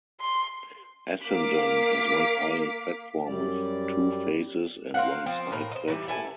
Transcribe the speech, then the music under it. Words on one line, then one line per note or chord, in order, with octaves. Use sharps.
Essendon has one island platform with two faces and one side platform.
C6
A#3 F5 D6 B6
F#2 G3 D5
C4 A#4 F5 F#5
F3 C4
A2 A#4
C5 D#5
D#3 E3 G3
E4 A4 G#5